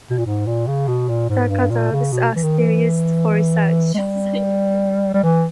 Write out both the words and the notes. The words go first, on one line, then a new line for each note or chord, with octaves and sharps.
The catalogs are still used for research.
B2
A#2
G#2
A#2
C#3
B2
A#2
G#2
G2
A#2
C#3
B2
E3
D#3
E3
G#3
G3
G3
E3